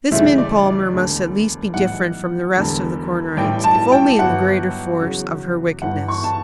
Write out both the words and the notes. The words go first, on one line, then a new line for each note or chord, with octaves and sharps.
This Min Palmer must at least be different from the rest of the Cornerites, if only in the greater force of her wickedness.
D2 C#3 E3 G3 E5
D5
D5
E1 D2 D3
B1 A2 E3 G3 F#5
E1 E2 D3 G3
A1 A2 G3 G5
A5
G5
G1 G2 F#3 F#5
E2 C#3 F#3
G1 G2 E3 G3 F#5
C#6
A5